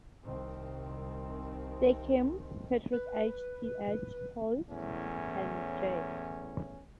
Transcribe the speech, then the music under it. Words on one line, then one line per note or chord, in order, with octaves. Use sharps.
Stakem, Patrick H. T. H. Paul and J.
C2 D#3 C4
B4
E2 A2 C#4